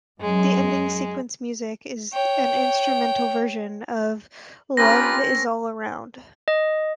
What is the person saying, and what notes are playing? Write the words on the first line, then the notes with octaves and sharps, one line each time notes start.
The ending sequence music is an instrumental version of "Love is All Around".
F#2 G#3
C#5 G5
C4 C#4 F4 G4 A#4 B4 A#6
D#5